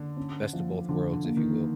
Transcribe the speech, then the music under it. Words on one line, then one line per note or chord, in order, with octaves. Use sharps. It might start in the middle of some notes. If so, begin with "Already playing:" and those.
Best of both worlds, if you will.
Already playing: D3 D4
C#4
F3
D3 F3
D3
A#3
D#3